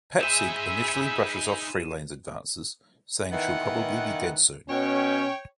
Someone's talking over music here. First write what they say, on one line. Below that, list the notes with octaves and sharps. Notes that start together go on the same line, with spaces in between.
Patzig initially brushes off Frelaine's advances, saying she'll probably be dead soon.
D#4 G#4 C5 E5 B5 D#7 E7
D#3 E3 B3 F#5
B2 C#4 C#5 G5